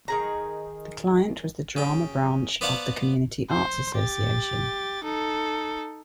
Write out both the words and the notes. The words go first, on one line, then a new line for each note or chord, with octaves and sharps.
The client was the Drama Branch of the Community Arts Association.
D#3 G#4 A#5
C#3 G5
B3 C5 D5 F5 F#5 A5
C5
G4 A6
D#4 A4